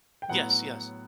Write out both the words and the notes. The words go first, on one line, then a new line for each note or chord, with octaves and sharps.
Yes. Yes.
G5
A2 F#3 B3 F#5